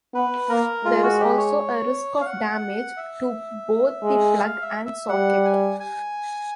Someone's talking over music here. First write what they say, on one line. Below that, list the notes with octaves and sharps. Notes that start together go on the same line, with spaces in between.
There is also a risk of damage to both the plug and socket.
B3 B4
A#3 A#4
G#3 F4
F#4
G4
C#5
F5
F#5
E5
G#3
F5
E5
E5
G3 F#5
G#5
G#5